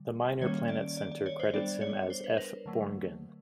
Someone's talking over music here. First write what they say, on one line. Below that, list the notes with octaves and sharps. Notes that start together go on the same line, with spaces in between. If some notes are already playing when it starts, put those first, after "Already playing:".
The Minor Planet Center credits him as F. Borngen.
Already playing: D3 G3
D#3 G3 A#3 C#4 C#5
D5
D5
D5
C#5
C5
G3 B3 D4 D5
C#5
C5
B4
A#4
D3 F#3 A3